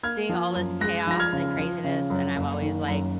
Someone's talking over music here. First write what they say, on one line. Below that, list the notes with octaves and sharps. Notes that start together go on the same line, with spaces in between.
seeing all this chaos and craziness, and I'm always like,
A#3 F6 G#6
F3
F#2
G#3 F#6 A#6
F3 A#6
F6 G#6
C#3
F3
C#3
F#2
F#1
D#3
F#2